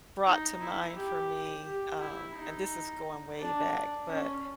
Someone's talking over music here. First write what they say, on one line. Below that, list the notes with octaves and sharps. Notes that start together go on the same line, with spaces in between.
brought to mind for me, um, and this is going way back, but,
D#4
E4
G4
G4
E4
D#4
D4
C#4